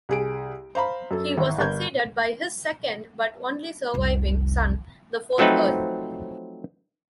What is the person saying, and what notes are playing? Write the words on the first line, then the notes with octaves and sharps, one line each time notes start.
He was succeeded by his second but only surviving son, the fourth Earl.
C2 G#4 D7
C5 F5 A#5 B5
F#2 A4
G#1 E3
G1 A#4 G6 G#6
F1 C2
F3 F#3 A3 C4 D#4 B4